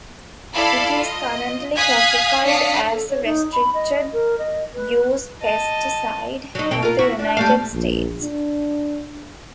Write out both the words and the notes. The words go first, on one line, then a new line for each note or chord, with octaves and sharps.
It is currently classified as a restricted use pesticide in the United States.
E4 A4 D5 F5 B5
F4 D#5
F5 G#5 D#6 F#6 G#6 B6
C#4 D4 F5 D#6 B6 C#7
A4
C#5
D#4
B5
D#5
A#4
D#5
B4
D#5 A5
F#3 D#4
D#2 B2 C4
F4 A#4
E4 F#4
D4
G3 A3 F5
A#1
D4